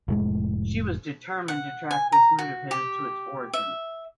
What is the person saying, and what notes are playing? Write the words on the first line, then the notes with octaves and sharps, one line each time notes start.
She was determined to track this mood of his to its origin.
F1 A2 G#3
F#5
G#5
A#5
F#4
G4
E5